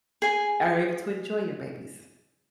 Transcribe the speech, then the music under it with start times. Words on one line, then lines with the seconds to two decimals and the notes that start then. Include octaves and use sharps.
are able to enjoy your babies.
0.22 G#4 G#5